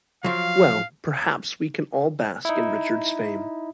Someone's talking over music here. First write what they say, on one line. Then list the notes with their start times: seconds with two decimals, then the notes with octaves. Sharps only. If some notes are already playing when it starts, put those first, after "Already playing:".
Well, perhaps we can all bask in Richard's fame.
0.24 F3 F#3 F5
2.45 D#4 E4